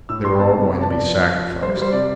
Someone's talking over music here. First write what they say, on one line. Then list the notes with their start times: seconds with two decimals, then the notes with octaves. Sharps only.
They were all going to be sacrificed.
0.09 A2 E6
0.24 G3 C6
0.35 G5
0.39 B3 A5
0.56 C3
0.70 C3
0.81 A5
0.85 B3
0.90 D5
1.01 F3
1.16 F2
1.31 F3
1.46 F2
1.62 G3 C5
1.77 G3
1.82 C5
1.93 C3 D5